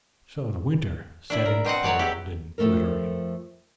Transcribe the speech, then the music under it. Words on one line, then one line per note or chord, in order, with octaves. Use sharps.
So the winter set in cold and glittering.
D4 E4
A#4
B2 C4 D#5 F#5
F#3 C#5 D5 A5
E4 G4
F2 F3 A3 A4 A#4